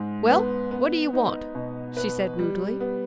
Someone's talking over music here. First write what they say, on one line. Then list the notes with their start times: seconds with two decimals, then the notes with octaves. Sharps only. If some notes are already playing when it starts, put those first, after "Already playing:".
"Well, what do you want?" she said rudely.
Already playing: G#2 G#3
0.29 B3
0.71 B3
1.13 D#4
1.55 B2
1.97 B4
2.39 G3
2.80 B3